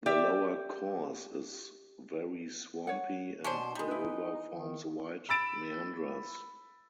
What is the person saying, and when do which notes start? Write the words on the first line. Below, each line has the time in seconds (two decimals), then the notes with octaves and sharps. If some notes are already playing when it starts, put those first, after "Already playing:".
The lower course is very swampy and the river forms wide meanders.
0.06 G4 D5 E5
2.87 C#5 F#5
3.44 B2 C#4 D4 C5
3.75 G3 G#3 D#4
3.88 E4 B4
4.55 D#3
5.29 B5 E6 A6 D7 E7